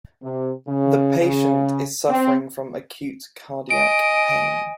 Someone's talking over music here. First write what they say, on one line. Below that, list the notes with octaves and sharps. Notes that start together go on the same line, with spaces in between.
The patient is suffering from acute cardiac pain.
C3
C#3
C#3
C4
D#5 G#5 D7